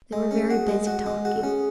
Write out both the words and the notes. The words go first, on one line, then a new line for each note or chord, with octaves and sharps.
They were very busy talking.
G#3 G#4
C#4
F#4
G#3
F#4
G#3
F#4 G#4
A4
C#4 G#4